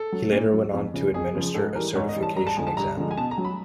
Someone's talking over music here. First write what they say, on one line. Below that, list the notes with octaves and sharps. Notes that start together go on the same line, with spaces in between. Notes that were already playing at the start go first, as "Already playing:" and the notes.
He later went on to administer a certification exam.
Already playing: A4
F#3
A#2
F#3
F2
C#3 F3
F2 G#4
C#3 F3
G#2 A4
E3 G3 A#4
G#2 C#5
D#5
E3 G3
A5
G2 A#5
A5
D3 F3 G#3 G#5
A5
G2 A#5
D3 F3 G#3
G#5
B2 A5
A#5
F#3
B5